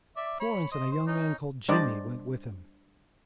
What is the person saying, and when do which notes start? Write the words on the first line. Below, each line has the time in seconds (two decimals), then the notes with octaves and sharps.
And Florence and a young man called Jimmy went with him.
0.17 D5 E5
0.40 C#5 B5
0.72 C5 D#5
0.92 C5
1.07 C#4 D#4
1.69 G3 D4 C5 D5 D#5